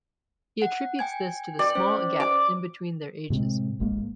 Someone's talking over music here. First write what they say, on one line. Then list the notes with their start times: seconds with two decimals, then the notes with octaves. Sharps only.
He attributes this to the small gap in between their ages.
0.62 F#5
0.99 G5 G#5 G#6
1.59 D5 G5
1.75 C#4 C5
2.20 D6
3.30 A2 C3 G#3 C4
3.79 D1 A1 G#3 A#3